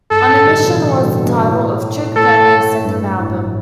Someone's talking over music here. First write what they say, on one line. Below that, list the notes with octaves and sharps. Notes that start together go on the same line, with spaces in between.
"On a Mission" was the title of Trick Pony's second album.
G2 A4
A2
D3 G3
B2 E3
A2 D3
G2 B2
G2 B2
A2
A2
A2 A4
A2
A2
G2
A2